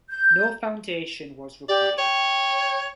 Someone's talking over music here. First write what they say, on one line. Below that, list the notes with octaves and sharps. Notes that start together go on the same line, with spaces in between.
No foundation was required.
G6
G4 D5
C#5 G5